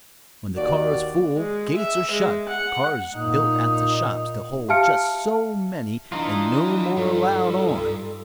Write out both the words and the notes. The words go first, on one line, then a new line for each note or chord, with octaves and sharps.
When the car's full, gates are shut; cars built at the shops to hold just so many, and no more allowed on.
D#2 F#4 D5
G#3
E5
G#3
F#5
A#2 D#4
G4 E5 F5 A5 F6 C#7
E3 D4 D#4 F4
G2 A4